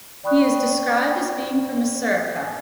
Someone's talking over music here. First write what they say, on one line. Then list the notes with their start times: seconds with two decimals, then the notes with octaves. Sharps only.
He is described as being from Masrekah.
0.24 D5 G5 B5 C#6 D#6 F#6